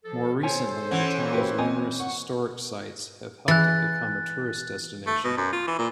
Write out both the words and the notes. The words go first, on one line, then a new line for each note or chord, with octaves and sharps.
More recently, the town's numerous historic sites have helped it become a tourist destination.
F3 A4
E4 A4 C5 C#5 G#5
E3 C#4 F#5
A#3 F#4 G4 B4
C4 C#5 D#5 G#5
F#5 C#6
E3 F#6 A6
A3
B2
F#2
F4
E3
A#2